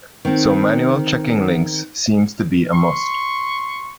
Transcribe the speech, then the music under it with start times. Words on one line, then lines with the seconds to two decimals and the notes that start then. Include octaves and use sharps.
So manual checking links seems to be a must.
0.25 D#3 C4
2.72 C6 C#6